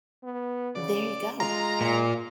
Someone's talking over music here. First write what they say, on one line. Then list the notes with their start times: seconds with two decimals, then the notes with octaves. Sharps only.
There you go.
0.23 B3
0.75 C#3 D5
1.40 G#3 F4 A#5
1.81 A#2